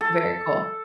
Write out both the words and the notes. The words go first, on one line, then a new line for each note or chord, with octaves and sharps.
Very cool.
A4